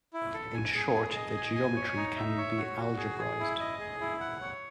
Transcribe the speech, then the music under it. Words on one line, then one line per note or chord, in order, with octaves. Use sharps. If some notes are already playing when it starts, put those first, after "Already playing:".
In short, the geometry can be algebraized.
E4
A4
G#5
G#4
G#4
D#5
G#5
G#5
C#5
D#4
E5
C#5
F#4
F#4
G#4
G#4
E4
D#5
G#4
E4
F#5
C#5